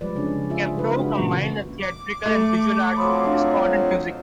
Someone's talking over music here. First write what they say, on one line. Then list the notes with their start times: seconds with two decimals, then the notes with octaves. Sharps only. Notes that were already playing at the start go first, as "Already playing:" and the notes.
Kaprow combined the theatrical and visual arts with discordant music.
0.01 F3 G3 G#3 B4 D5
0.16 C#3 C#4 D4
0.50 F4 G#4 E5
0.75 C#3 G3 D#4 F4 B4
0.97 G#3 D4 F#4
1.18 A#2 C#3 E3 A#3 F#4
1.80 D6
2.26 A3
2.97 F2 F3 F#3 B5 C6 D#6
3.26 D4 F5